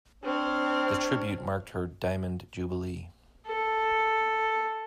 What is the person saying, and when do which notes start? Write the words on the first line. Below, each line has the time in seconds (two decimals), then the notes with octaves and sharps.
The Tribute marked her Diamond Jubilee.
0.24 C4 D4 C#5 F6
3.47 A4